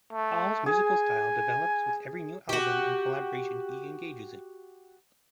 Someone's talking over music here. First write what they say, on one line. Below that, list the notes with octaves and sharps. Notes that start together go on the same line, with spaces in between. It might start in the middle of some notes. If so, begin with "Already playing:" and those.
Hall's musical style develops with every new album and collaboration he engages in.
A3
G#4 G#5
F#4 G4